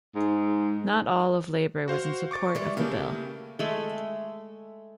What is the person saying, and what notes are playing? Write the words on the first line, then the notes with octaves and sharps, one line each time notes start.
Not all of Labor was in support of the bill.
G#2
F#4 C5 F5
C#6 D6 A6
E3 G3 G#3
C#3 A3 A#3 E4 G4
G#3 A3